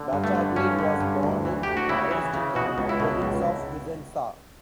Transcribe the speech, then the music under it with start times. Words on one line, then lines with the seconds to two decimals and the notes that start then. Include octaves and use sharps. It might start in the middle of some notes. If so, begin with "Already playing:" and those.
Battaglin was born in Marostica, province of Vicenza.
Already playing: D3
0.13 G2
0.24 A3
0.35 D3
0.56 G2 C#4
0.79 D3
1.00 G2
1.23 D2
1.45 E3
1.63 D2 G4
1.77 F#4
1.89 C#3 E4
2.11 E3
2.34 C#3
2.55 B2 F#4
2.78 C#2
2.89 E4
3.00 B2
3.22 C#2